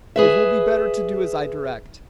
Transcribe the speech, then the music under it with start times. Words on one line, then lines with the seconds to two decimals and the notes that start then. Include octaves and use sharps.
It will be better to do as I direct.
0.16 G#4 B4 E5